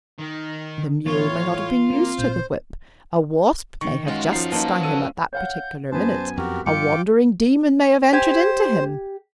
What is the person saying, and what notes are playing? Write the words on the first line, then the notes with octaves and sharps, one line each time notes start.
The mule may not have been used to the whip; a wasp may have just stung him at that particular minute; a wandering demon may have entered into him.
D#3
D3
A2 E3 B3 F4 C#5
A#3 C4
G#1 A#2 C5
D#3 C#6
G#3 C#4 F4 F#4
F3 D#4 C7
F3 A#3 D#4 B4 A5
A4 E6 D#7
C#5 F5 F#5 G6
F#2 B3 C5 G#5 A5
F2 F#4 G4 A#4
G2 F3 F4 G5 D6 C#7
G4 C5 G#5